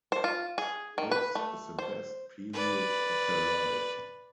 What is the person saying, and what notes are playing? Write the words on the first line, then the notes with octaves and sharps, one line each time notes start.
This is the best period of her life.
C5
F4
G#4
D#3
B4
A3
C5
B4 D5